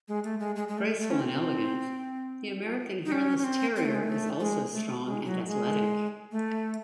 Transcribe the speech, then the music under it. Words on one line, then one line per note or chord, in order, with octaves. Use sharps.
Graceful and elegant, the American Hairless Terrier is also strong and athletic.
G#3
A3
G#3
G#3
G#3
A3
A3
C#4
C4
D#4
C#4
C#4
C4
C4
A3
G#3
A3
G#3
A3
G#3
F#3
G#3
A3